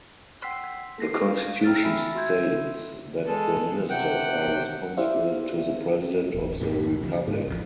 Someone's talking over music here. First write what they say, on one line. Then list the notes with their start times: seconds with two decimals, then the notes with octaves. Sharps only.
The constitution states that the ministers are responsible to the president of the republic.
0.43 F#5 G5 C6 E6 B6 C7
0.98 A4 A#6 C7
1.26 F5
1.64 G5 A#5 E6 F6 A6
1.83 F4 E5 G#5 B5 E6
2.15 F#4 E5 C6 E6 G6 G#6
3.25 G#3 A4
3.90 C3 F#5 G5
4.97 E4 G4 C5 D5 E5 F5
6.34 D1 A1
6.61 F#1 D2 A2 C3
7.01 C#3 E3 F3
7.27 G#2
7.48 A1 E2 F3